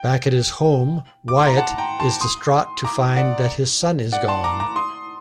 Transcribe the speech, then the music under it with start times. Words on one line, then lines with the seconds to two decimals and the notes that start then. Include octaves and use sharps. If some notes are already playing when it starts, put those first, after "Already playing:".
Back at his home, Wyatt is distraught to find that his son is gone.
Already playing: G5
1.28 D6
1.38 C6
1.47 A#5
1.57 F#5 A5
1.78 G5 A#5
2.00 A5 C6
2.21 C6 D#6
2.84 A#5 D6
3.16 D5 F#5
4.12 D5 F#5
4.28 A5 C6
4.44 A#5 D6
4.60 A#5 D6
4.76 C6 D#6